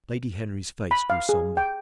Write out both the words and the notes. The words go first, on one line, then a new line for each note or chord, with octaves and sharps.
Lady Henry's face grew sombre.
B5
F5
G#4
G5